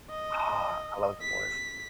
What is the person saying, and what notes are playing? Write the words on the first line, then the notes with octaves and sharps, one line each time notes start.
Ah, I love The Boys.
D#5
B6